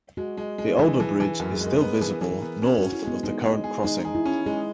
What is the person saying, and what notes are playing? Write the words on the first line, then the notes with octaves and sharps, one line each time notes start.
The older bridge is still visible north of the current crossing.
G#3 F#4
G#3
G#3
E3 G#4
E3
E3
F#2 A#4
G#4
G#3
A#4
B3
E3 G#4
E3
A#4
B3
C#4
C#4 F#4
E4
G#3 B3
G#3 D#4
G#3
G#4
G#3 D#4
G#4
E4
C#4
G#3 G#4